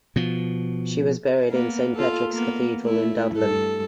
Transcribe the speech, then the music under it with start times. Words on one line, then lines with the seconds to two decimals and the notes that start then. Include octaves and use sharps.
She was buried in Saint Patrick's Cathedral in Dublin.
0.16 B2 F3
1.51 A#3 B3
1.95 F4 A4
2.32 A#3 B3
2.82 A3 E4
3.38 G2 A4